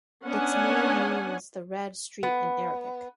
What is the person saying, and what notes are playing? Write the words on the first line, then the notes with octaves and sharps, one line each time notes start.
Its name means "the Red Street" in Arabic.
B3 C#4 D4 F#5 G#5
B3